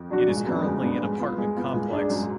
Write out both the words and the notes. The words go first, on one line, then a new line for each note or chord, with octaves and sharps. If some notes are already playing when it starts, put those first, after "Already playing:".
It is currently an apartment complex.
Already playing: F2
F#3 D4 F#4
G#2 G#3
A#2
F#2 B3 D4
F2
F#2 G#3
G#2 B3 D4
G#3
B3 F4
G#3
B3 F4
A#2 G#3
G#2 D4 G#4
F#2 G#3